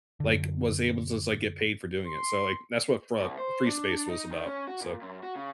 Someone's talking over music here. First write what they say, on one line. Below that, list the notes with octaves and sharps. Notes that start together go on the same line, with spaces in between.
like, was able to just like get paid for doing it so, like, that's what Fra Freespace was about, so
F#2 D3
C6
C2
C5
D4
D#4
D#3
C#4
F#4
A#2
F#2
F#4
C#3